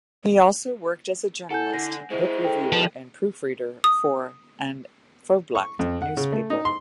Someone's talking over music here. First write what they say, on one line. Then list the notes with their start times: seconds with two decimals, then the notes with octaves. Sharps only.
He also worked as a journalist, book reviewer and proofreader for "An Phoblacht" newspaper.
1.51 E4 A4 F#5 G#5 G6
1.74 D3 A#6
2.10 G#3 E4 C5
2.44 A4 G5
2.72 F3
3.84 D#6
5.55 C#6
5.79 F2
6.02 F#5
6.17 C#3
6.32 A3
6.50 D#4
6.65 C6